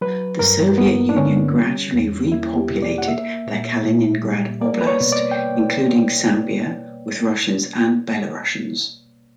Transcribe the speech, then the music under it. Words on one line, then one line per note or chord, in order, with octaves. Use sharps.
The Soviet Union gradually repopulated the Kaliningrad Oblast, including Sambia, with Russians and Belarusians.
F#3 B4
G2 A#4
A#3 B3
D4
D3 C#4
G3
E2
A#3 E4
G4
B2
D5
F#5
A#3 E5
A#2
A#2
G3
A#3 D5
B4
C#5
B2
D5
G5